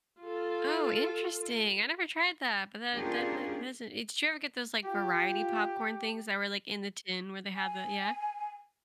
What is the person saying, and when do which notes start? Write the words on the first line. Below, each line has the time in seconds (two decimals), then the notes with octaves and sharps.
Oh, interesting, I never tried that, but that that th that's it's did you ever get those, like, variety popcorn things that were, like, in the tin where they have the yeah.
0.20 F4 A4
2.95 A#3 C#4 D4 F4 G4 G#4
4.85 F4 G4
7.56 G#5